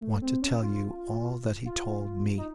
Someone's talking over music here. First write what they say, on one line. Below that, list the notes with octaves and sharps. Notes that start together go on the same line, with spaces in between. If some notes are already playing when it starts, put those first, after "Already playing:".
I want to tell you all that he told me.
A3
C4
C#4
F4
F4
D#4